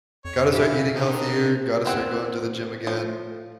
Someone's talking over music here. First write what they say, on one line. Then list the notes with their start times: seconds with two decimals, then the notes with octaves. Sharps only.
gotta start eating healthier, gotta start going to the gym again.
0.25 F2 C#5
0.52 B2 E3 G4 E5 F5
0.95 D3 D#3 D#4 C5
1.85 E3 C4 F#5
2.87 F3